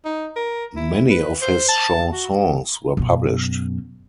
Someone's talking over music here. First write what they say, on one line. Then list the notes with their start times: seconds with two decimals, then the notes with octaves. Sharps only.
Many of his chansons were published.
0.05 D#4
0.36 A#4
0.76 E4
1.10 B4
1.42 C5
1.69 A5
2.13 F#4
2.97 F#2 B2